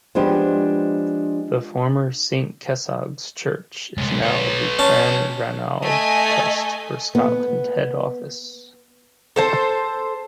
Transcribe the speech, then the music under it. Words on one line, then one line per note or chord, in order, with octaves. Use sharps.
The former Saint Kessog's Church is now The Clanranald Trust for Scotland head office.
F3 G#3 B3 D4 G4
C2 G#3
B4 C#5
C#4 A5
A3 D#5 G#5
B3
A4 C5 A5